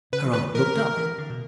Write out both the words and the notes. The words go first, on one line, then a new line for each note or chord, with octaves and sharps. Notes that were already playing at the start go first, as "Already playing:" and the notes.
Her aunt looked up.
C#3 B4
E3
D3 B4
E3 A#4
D3
E3
D3
B2